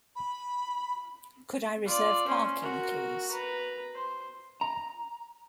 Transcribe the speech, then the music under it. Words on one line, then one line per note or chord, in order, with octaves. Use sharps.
Could I reserve parking, please?
B5
F4 D5
C#4 C5
F#4 A#4
B4 A#5
C5
A#5